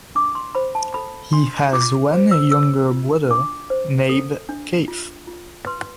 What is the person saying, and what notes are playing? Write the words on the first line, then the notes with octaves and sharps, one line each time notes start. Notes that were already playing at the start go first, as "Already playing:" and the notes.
He has one younger brother, named Keith.
D4 D6
C6
C5 B5
A5
A4 B5
D4 C6
F4 D6
C5
E6
G#4 E6
F4
D4 D6
C5
A4
D4
F4
F4
B4 C6